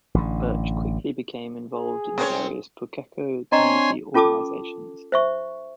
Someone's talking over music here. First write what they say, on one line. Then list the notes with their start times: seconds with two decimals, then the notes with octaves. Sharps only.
Birch quickly became involved in various Pukekohe community organisations.
0.15 A1 D3
1.73 G#4
2.18 G#3 C4 C#4 C5 C#5
3.52 C4 D4 C#5 D#5 G#5 A#5 C6 C#6
4.14 C#4 F4 A4 A5 D6 D#6
5.12 C5 E5 C#6